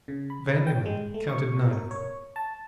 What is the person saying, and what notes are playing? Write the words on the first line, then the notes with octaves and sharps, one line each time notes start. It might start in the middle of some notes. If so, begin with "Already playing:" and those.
Van Emmon counted nine of them.
C#3
B5
G5
G#3
A3
C#6
B2
A#4
C#5
A5